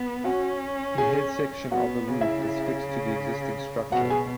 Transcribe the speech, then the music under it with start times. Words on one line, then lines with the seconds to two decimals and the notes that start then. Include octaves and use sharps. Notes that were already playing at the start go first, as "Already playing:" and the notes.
The head section of the roof is fixed to the existing structure.
Already playing: B3
0.24 C#4 F#4 F#5
0.98 G#4 G#5
1.72 B3 F#4 F#5
2.08 C#3
2.20 E4 E5
3.92 B2 F#4 F#5
4.10 G#4 G#5